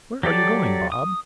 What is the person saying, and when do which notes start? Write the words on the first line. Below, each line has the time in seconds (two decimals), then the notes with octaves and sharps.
"Where are you going, Bob?"
0.23 F#3 G4 A4 D5
0.92 D#6